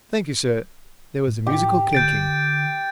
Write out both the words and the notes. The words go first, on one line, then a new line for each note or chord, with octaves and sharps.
'Thank you, sir.' There was a musical clinking.
A2
G4
D3 G6 A6 D7